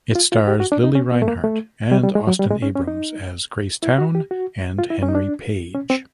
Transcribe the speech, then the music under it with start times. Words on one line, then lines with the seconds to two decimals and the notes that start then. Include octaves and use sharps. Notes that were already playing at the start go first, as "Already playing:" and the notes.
It stars Lili Reinhart and Austin Abrams as Grace Town and Henry Page.
0.15 F4
0.32 F4
0.47 G4
0.60 F#4
0.72 D4
0.84 D#4
0.95 C#4
1.12 B3
1.22 A3
1.28 A#3
1.44 A3
1.92 G3
2.03 G3
2.15 G#3
2.27 F#3
2.40 G3
2.51 G#3
2.63 C#4
2.76 C#4
2.87 D#4
3.83 E4
3.98 F#4
4.15 G4
4.31 F#4
4.79 F4
4.90 E4
5.03 C#4
5.09 D#4
5.15 D4
5.74 C#4
5.90 C4